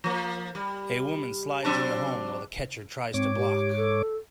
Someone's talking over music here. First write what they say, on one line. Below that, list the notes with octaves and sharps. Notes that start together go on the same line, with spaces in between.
A woman slides into home while the catcher tries to block.
F3 A#3
G3
F#3 C4 D4
G#2 C4 C#5 D6
G4
A4